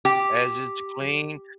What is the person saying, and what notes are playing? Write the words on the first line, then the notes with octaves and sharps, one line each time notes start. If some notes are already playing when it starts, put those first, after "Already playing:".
As it's clean,
G4